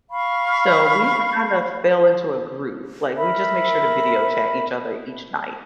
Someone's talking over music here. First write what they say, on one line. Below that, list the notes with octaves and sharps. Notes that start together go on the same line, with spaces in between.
So we've kind of fell into a groove, like, we just make sure to video chat each other each night.
F5 B5 C#6
A#4 E5 B5